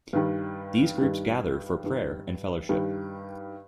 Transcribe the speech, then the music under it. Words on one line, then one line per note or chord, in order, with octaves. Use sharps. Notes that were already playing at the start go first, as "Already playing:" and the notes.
These groups gather for prayer and fellowship.
G2 D#3 G3
G2 D#3 G3
G2 D#3 G3
G2 D#3 G3